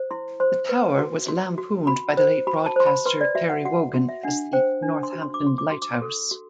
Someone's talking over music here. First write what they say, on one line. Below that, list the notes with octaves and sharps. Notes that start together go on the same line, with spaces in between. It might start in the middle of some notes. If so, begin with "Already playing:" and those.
The tower was lampooned by the late broadcaster Terry Wogan as the "Northampton lighthouse".
Already playing: C5
E4 C6
C5 C6
B4
F#4
F#4
F#4
F#4 B5
C5
F#4 B5
A5
C5 C6
B5
B4 C6
D5
F#4 E5
F#5
F#4 F#5
F#4
E5
D4 F#5
C5 G5
D4
C6
F#4
C6
D6
F#4 C6
D6
F#4 C6
D6
C6
A4
F#4